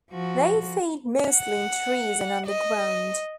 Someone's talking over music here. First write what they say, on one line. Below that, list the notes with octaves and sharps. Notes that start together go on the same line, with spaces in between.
They feed mostly in trees and on the ground.
F3 F#4
F#5
D#5